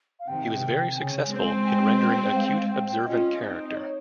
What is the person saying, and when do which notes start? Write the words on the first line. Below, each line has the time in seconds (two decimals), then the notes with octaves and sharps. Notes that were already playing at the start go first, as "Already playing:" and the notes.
He was very successful in rendering acute observant character.
0.20 F5
0.28 C3 D#3 G5
0.97 C#3 G#5
1.32 G#3 C4
1.67 G5
2.36 F5
2.46 G5
2.54 F5
2.72 G5
2.89 G5
3.06 C#4 F4 D#5
3.41 C4 D#4
3.69 D#5
3.76 C#5